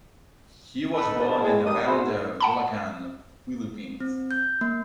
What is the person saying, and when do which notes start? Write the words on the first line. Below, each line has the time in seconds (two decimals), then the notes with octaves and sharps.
He was born in Obando, Bulacan, Philippines.
0.94 D#4 A4 B4
1.19 E2 A#2 D3 F3 G3 A5
1.42 A2 G#3
1.65 G2 D#3 G3 D4 D#4 D#6
1.85 E4 F#4 G#4 A4 B4 C5
1.98 G#2
2.40 F#5 A5 B5
4.00 C4
4.31 G6
4.61 A#3